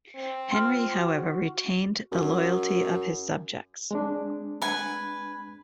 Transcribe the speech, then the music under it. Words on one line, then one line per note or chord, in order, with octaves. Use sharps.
Henry, however, retained the loyalty of his subjects.
C4
F4 C6 F6
F#4
F#2
G#3 C4 D4
B4 G#5